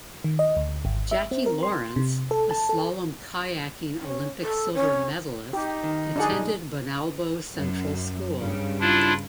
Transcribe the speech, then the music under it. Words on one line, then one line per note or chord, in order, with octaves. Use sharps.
Jacqui Lawrence, a slalom kayaking Olympic Silver medalist, attended Bonalbo Central School.
D#3
D#5
D2
G#1
E5
C4
A#4
C6
C3
A4
A5
A4
C#4
A4
C#4
D#4 G4
D#3
B1 D#3 D4 G#4 F#5
B1 G2
F#2
G2 C#3 G3
D4 E4 F4